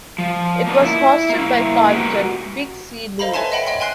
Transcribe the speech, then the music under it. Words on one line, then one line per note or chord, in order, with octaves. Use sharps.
It was hosted by Carlton "Big C" Lewis.
F3
A#3 B3 D4 D#4 F4
E4
A#3 E4
F#4 G4 A#4 B4
A4 C5 D#5 F5 A#5 B5
B4 C#5 E5 G#5 A5 C6
D#5 E5 F#5 G5 B5
D#5 E5 G5 C6
G5 G#5 C6 F#6 C7